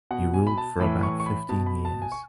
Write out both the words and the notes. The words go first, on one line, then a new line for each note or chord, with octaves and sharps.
He ruled for about fifteen years.
B2 F#5
G#5
B5
A5
A2 E3 B5
C#6
C#6
B5
B2 A5
B5
A5
G#5
C#6